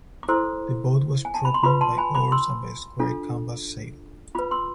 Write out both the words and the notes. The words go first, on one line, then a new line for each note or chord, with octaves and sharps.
The boat was propelled by oars and by a square canvas sail.
D6
E4 A4 C5 C6 E6
G#5
A5
B5
C6
F4 B4 B5 D6
A5 C6
G#5 B5
B5 D6
C6 E6
D4 F4 A4
F4 B4 B5 D6
C6 E6